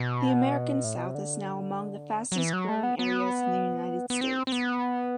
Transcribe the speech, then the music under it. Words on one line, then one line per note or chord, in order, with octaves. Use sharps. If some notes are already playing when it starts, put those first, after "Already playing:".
The American South is now among the fastest-growing areas in the United States.
Already playing: B2
A2
B2
C3
D3
F#3
E3
F#3
A3
B3
B3
B3
C4
C4
B3